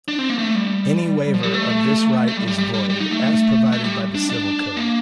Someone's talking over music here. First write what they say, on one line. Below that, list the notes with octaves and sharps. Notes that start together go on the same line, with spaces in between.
Any waiver of this right is void, as provided by the Civil Code.
D4
C4
A#3
A3
G3
F3
G3
A3
A3
G3
G3
G3
G3
G3
D#4
A3
A3
G3
D4
D4
A#3